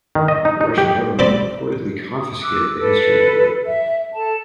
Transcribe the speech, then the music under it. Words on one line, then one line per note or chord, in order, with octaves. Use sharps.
The Russian government reportedly confiscated the history he wrote.
D#3
D#5
D#4
D#4
G4
C4 G4 D5 B5
D#6
D6 E6 F#6
A4 B4
E5
A4 A5